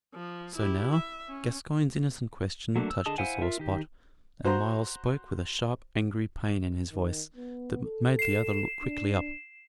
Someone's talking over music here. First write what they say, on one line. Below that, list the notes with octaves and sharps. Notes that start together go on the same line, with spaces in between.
So now Gascoyne's innocent question touched a sore spot, and Myles spoke with a sharp, angry pain in his voice that made the other look quickly up.
F3
E4 G4
E5
C#4
F#3 A3 A#3 D4
E6
D3 G#4 D#5 A5 D#6
E4 C5 F5 F#5 G#5
F4 A#4 E5
D#3 G4
F#4 C5 A#5 C6
D#3
B3
A4
C7 E7
D4